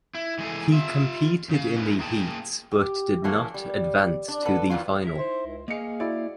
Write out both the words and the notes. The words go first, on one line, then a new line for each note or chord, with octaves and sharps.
He competed in the heats but did not advance to the final.
E4
E3 G#3 G#4 A4
F4 E5
C#3 F5
C#4 D#4 E4 A#4 B4
A#3 G#4 G5 A5
G4
E3 F#3 A3 A#3
G3
D4
B3 A4 B4
D#3 E3 F#3 F4
D#4 E4 E5
C5
C#2
A#3 G#4 D#5 F5 C#7
E4 F#4 D5